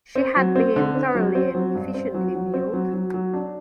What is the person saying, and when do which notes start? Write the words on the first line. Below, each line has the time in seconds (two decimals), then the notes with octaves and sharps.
She had been thoroughly and efficiently mauled.
0.16 C4
0.36 F#3
0.56 C4
0.76 D3
0.95 C4
1.15 F#3
1.35 C4
1.55 F#3
1.75 G2
1.94 C4
2.14 F#3
2.35 F#3
2.54 C4
2.73 F#3
2.93 F#3
3.14 F#3
3.33 D4